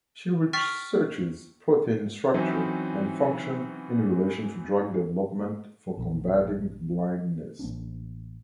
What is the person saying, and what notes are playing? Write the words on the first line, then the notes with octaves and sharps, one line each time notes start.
She researches protein structure and function in relation to drug development for combating blindness.
G5 C#6 F6 A6 B6 C7
E3 F#3 C4 C#4 D#4 E4
A#1 F2 B2 D#3
A1 A#3 C#4 D4